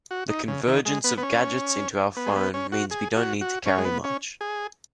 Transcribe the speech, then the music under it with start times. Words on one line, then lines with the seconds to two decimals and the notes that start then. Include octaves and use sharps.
The convergence of gadgets into our phone means we don't need to carry much.
0.11 F#4
0.29 D#4
0.48 C#3
0.67 D#3
0.85 G#3
1.04 B3
1.18 B3
1.23 C#4
2.17 B3
2.26 G#3
2.36 B3
2.54 C#4
2.72 F#4
2.91 G#4
3.16 F#4
3.41 F#4
3.66 C#4
3.78 G#3
3.85 B3
4.04 C#4
4.41 G#4